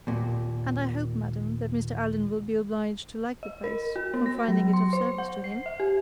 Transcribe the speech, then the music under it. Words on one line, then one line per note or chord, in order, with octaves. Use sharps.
"And I hope, madam, that Mr. Allen will be obliged to like the place, from finding it of service to him."
D#2 A#2
D#5
A#4
F#4
B3
A#6
F#3
C6
C5
F#5
C7
E5
G4